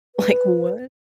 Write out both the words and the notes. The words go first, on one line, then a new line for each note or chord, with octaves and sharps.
Like, what?
B4